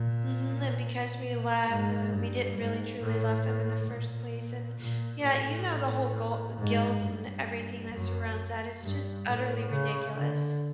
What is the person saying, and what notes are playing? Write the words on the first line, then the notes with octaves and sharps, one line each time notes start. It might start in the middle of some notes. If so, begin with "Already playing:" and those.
Mhm, and because we left, uh, we didn't really truly love them in the first place. And, yeah, you know, the whole gol guilt, and everything, that surrounds that, it's just utterly ridiculous.
Already playing: A#2
A#2
G#2
G2
G#2
A2
A#2
A#2
A2
G#2
G2
F#2
G2
A2
C#3
D3